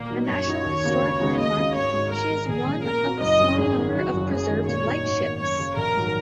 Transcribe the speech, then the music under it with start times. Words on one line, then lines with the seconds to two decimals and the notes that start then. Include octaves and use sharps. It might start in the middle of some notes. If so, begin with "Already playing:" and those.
A National Historic Landmark, she is one of a small number of preserved lightships.
Already playing: A#2 A#3
0.10 F#3 D#4 F#4
0.29 F#2 C#5
0.47 F#3 D#4 F#4
0.65 D#2
0.84 C#3 A#3 F#4
1.02 C#2
1.20 C#3 G#3 D#4 F#4
1.39 D#2 D#5
1.57 C#3 G#3 F#4
1.75 G#1 C#5
1.93 G#2 G#3 F#4
2.11 G#2 A#4
2.30 D#3 G#3
2.48 A#1 G#4
2.66 A#2 G#3 C#4
2.84 A#2 A#4
3.03 A#3 F#4
3.21 F#1 D#5
3.40 F#2 F#3 C#4
3.58 G#1 G#4
3.76 G#2 D#3
3.95 F#1 F#4
4.13 F#2 F#3
4.31 F#2 G#4
4.49 D#3 G#3 F#4
4.68 A#2 C#5
4.86 F#3 D#4 F#4
5.04 G#2
5.22 D#3 A#3
5.40 F#2 C#5
5.59 C#3 F#3 C#4 F#4
5.76 A#1 A#4
5.95 G#2 D#3 F#3